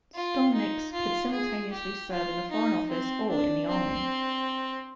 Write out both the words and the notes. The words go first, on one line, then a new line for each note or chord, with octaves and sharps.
"Stolniks" could simultaneously serve in the foreign office or in the army.
F4
D#4
F4
G#4
G4
F4
D#4
C4
D4
C4